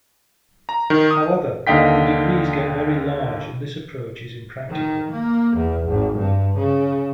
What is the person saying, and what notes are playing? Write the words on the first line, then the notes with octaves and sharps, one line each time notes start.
However, the degrees get very large and this approach is impractical.
A#5
D#3
D#6
D#2 D3 D#5 F5 G5 B6
D#3
A#3
E2
G#1
G2
C#3